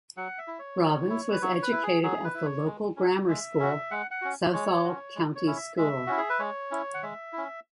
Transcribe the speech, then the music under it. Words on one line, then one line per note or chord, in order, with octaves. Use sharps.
Robbins was educated at the local grammar school, Southall county school.
F#3 F#5
E5
E4
C#5
F#3
E4
B4
F#3 C#5
B4
E4
G#4
F#3 G#4
B4
E4 E5
C#5
G#3
C#4 F#4
G#3 E5
C#4 F#4
G#3 F#5
F#5
C#4 F#4
G#3 C#5
C#4 F#4
G#3
C#5
C#4 E4
E5
G#3 E5
C#4 E4 F#4
G#4
B4
G#3 C#5
C#4 E4
F#5
G#3 E5
C#4 E4